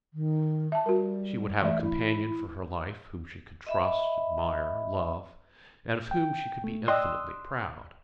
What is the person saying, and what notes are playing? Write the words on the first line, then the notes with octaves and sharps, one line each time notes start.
She would have a companion for her life whom she could trust, admire, love, and of whom she could be infinitely proud.
D#3
E5 A5
G3 F#4 A#4
E3 A3 D5 E5
E4
D#5 E5 B5
G5
A3
D5 D#5 G5 C6 D#6 E6 F#6